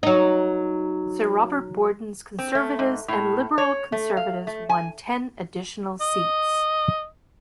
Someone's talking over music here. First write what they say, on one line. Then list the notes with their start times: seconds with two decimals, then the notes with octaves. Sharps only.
Sir Robert Borden's Conservatives and Liberal-Conservatives won ten additional seats.
0.03 F#3 D#4
2.39 C4
2.55 A3
2.79 G#2
3.08 A2
3.58 C#5
3.92 A3
4.17 F5
4.47 A3
4.69 G#5
6.01 D#5